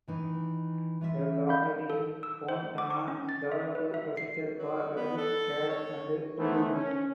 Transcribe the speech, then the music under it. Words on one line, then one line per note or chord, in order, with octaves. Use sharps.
The property in Fontana developed procedures for rabbit care and breeding.
D#3 E3 D#4
E3 F4 E5
C#4
F5 B5 G6
A4
E6
C5
D6
C#6
C#4
A6
E5
B4
E5
C7
F#3
B3
A4
C#5
D#3 E3 A3 B3 E4 C5
C#4